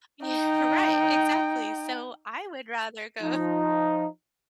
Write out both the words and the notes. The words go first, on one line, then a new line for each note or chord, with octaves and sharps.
Yeah, right, exactly. So I would rather go
D#4 G5
F3 D#4